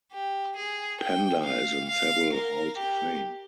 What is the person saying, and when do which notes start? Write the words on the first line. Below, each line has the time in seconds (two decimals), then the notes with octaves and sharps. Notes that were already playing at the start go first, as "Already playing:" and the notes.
Pender is in several halls of fame.
0.12 G4
0.56 G#4
1.00 G5
1.45 F5
1.89 F5
2.33 A#4
2.77 G4